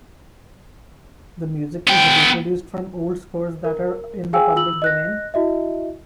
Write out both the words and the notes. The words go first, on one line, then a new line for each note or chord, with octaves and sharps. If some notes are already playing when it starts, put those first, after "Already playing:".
The music is reproduced from old scores that are in the public domain.
B3 G5
A#4
G#4 F5 G5 G#5 E6
F4 E6 F#7
D#5 F#6 A#6
E4 F#4 D#5 E5